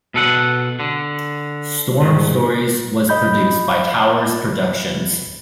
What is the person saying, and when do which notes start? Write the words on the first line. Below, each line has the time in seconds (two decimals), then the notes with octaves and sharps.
"Storm Stories" was produced by Towers Productions.
0.14 B2 A4 F#5
0.80 D3
2.02 C2 G#2
3.09 D#5 B5 G6